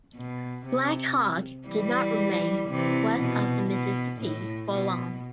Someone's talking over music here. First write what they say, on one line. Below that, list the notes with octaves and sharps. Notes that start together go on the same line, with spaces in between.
Black Hawk did not remain west of the Mississippi for long.
B2
C3
E3 G3
C3 E3
B2
B2
A2
B2